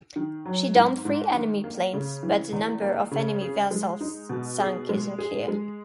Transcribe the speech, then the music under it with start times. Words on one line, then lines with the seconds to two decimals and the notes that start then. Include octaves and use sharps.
She downed three enemy planes, but the number of enemy vessels sunk is unclear.
0.16 D#3
0.45 F#3
0.75 G#2
1.05 G#2
1.34 D#3
1.64 A#3
1.93 C#3
2.23 E3
2.52 E2
2.82 A#3
3.11 C#3
3.41 G#4
3.71 G#3
4.01 D#4
4.29 B2
4.60 G#4
4.89 G#3
5.18 G#4
5.48 G#3